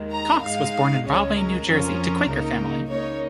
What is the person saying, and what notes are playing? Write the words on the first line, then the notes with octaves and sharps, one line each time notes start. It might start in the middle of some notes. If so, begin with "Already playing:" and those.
Cox was born in Rahway, New Jersey to Quaker family.
Already playing: D#2 D#3 G#3
A#5
G#2 G#3 D#4 F5
C#2 C#3 G#3 C#4 C#5
A#4
F2 F3 C#4 F4
C#2 C#3 A#3 D#4
C#3 A#3 D#4 C#5